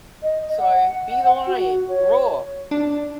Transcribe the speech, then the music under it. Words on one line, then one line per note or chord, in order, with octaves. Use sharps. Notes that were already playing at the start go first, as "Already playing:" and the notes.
So, be the lion, roar.
D#5
F#5
F#4
C#5
D4